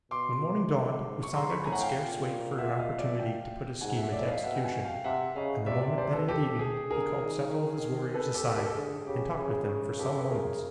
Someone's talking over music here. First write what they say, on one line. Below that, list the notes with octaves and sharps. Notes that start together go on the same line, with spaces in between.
When morning dawned Usanga could scarce wait for an opportunity to put his scheme into execution, and the moment that he had eaten, he called several of his warriors aside and talked with them for some moments.
B2 C6 D6
B2
A2
G#2
C#6
G#2 A#5 C6
B5 C#6
A2 G#5 A#5
F#5
F5 G5
A#2
E5 F#5
D#5 F5
D5 E5
F5 G5
G#2 F#5 G#5
E5 F#5
A2 D5 E5
D#5 F5
B2 E5 F#5
G5
F#5 G#5
F5 G5
C3 E5 F#5
C#3 D#5 F5
C3 D5 E5
D5 E5
C5 D5
A4 B4
G4 A4
G#4
D3 G#4 A#4
D#3
A4 B4
G4 A4
A#4
G4 A4
A4
D3 G#4
C#3 G4
C#3 G#4
G4 A4
B4
G#4 A#4